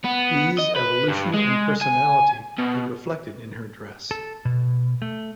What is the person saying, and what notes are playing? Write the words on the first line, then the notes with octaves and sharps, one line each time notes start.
Bee's evolution in personality is reflected in her dress.
B3
D#5
B4
G2
G#3
G#5
B2
A4
B2
A3